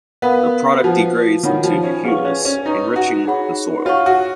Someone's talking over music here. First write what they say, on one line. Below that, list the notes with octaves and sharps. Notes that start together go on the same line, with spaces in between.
The product degrades into humus, enriching the soil.
B3 A#4 F5 B5
F3 F#4 B4 F#5
D#3 F#4 C#5 F#5 B5
F3
C#4
F4 G#4 B4 F#5 C#6
C#4
C#4
D#4 B4 D#5 A#5 C#6
F#4
D#4 G#4 C#5 F#5 B5
F4 C#5 F#5 C#6
F#4